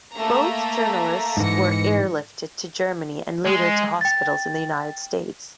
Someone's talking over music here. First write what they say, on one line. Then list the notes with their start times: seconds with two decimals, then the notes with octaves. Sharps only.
Both journalists were airlifted to Germany and later to hospitals in the United States.
0.16 A3 A#3 A#5
1.37 G#2 E3 A#6 C#7
3.46 G#3
4.01 G5 A6